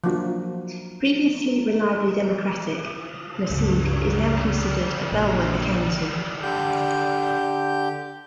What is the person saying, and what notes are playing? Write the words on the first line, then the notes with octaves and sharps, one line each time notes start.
Previously reliably Democratic, Merced is now considered a bellwether county.
F3 F#3 A#3 D4 F#4
C#2 G2
A#1
D3 G4 G6